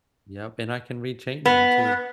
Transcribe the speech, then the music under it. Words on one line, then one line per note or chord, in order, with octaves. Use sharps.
Yep, and I can rechange ‘em too.
B3